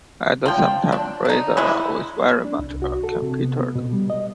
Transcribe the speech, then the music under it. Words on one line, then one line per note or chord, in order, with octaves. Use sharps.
At the same time, Burroughs was very much a competitor.
F3 G5
D4
D4 D#4
E3 G#3 E4
D4
C2
F#4
A4
C3
B3
B3
B2
G3
D#5